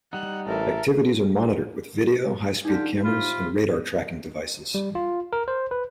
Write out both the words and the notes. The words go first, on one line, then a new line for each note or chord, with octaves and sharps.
Activities are monitored with video, high-speed cameras, and radar tracking devices.
G3 D#4 F#5
A1 A4 A#4 E5
D3 D#4 F4 G4
C3 F4 B5
G3
F4
A#4
C5
B4